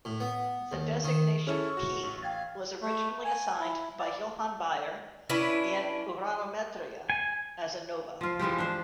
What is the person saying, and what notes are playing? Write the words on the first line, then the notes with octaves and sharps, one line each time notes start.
The designation "P" was originally assigned by Johann Bayer in "Uranometria" as a nova.
A2
B3
D#2
D#3
C#4 E4 G#4 A4 C#5 C#6 F6
F#4
A1
F5 G5 G#6 A6
A3
G#5
E4
D5
C#4 D4 E4 B4
G#5
F3 F4
E3 F3 G#3 G4
D4 C5